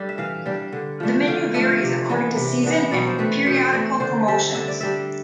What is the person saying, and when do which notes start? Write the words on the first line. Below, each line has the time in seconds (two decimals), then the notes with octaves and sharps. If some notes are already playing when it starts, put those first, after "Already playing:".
The menu varies according to season and periodical promotions.
Already playing: G3 D4 A4
0.09 E5
0.18 E3 F5
0.46 G3 D4
0.72 D3
1.00 F3 A3 D4
1.23 G5
1.28 D3 F5
1.54 F3 A3 D4 E5
1.63 F5
1.71 E5
1.83 C3
2.09 E3 B3 D4
2.36 C3
2.64 E3 B3 D4
2.91 B2 D5
3.07 C5
3.19 A3 C4 B4
3.46 B2 C5
3.73 A3 C4 D5
4.00 D3 C5
4.28 G3 D4 E5
4.55 D3 E5
4.68 D5
4.81 G3 D4 E5